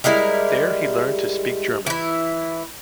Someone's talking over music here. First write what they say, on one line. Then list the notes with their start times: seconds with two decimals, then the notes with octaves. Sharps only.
There he learned to speak German.
0.04 G3 G#3 E4 A#4
1.86 E3 E4